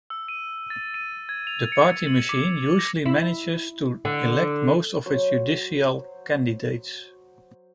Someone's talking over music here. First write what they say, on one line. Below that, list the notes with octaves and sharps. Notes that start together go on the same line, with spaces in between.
The party machine usually manages to elect most of its judicial candidates.
E6
D#7
A6
D#7
G#6
F7
C#7
F#7
D6
A#6
E4
D3
F#3 C5 C#5